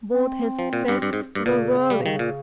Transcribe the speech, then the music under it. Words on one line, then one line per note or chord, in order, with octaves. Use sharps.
Both his fists were whirling.
C4
F3
A#2
G2
G2
G#2
G2
A#2 C#3
G3
D#3
A#2